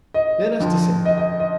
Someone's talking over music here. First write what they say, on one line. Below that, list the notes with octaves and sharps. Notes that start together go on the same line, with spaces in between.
Let us descend.
D#5
F2 D3 F3
D#5
D#5
D#5